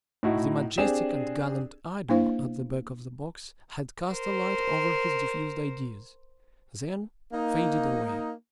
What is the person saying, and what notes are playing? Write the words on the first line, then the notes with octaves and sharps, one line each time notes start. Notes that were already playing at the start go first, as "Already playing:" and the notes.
The majestic and gallant idol at the back of the box had cast a light over his diffused ideas, then faded away.
A2 D#4 E4 F#4
C4 D4 G4 G#4 E7
A#3 D4 E4 C5 F5
A#4 C5
A#3 D#4